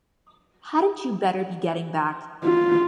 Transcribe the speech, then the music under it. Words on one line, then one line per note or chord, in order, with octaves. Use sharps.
Hadn't you better be getting back?
F4